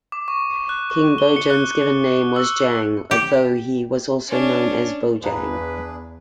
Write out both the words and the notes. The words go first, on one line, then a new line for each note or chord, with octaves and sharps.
King Bojang's given name was Jang, though he was also known as Bojang.
D6
C#6
F#6
C#6
G7
C#7
F#6
E6
G4
C#4 D4
E2 D4 G#4 B4 D5 F5 A#5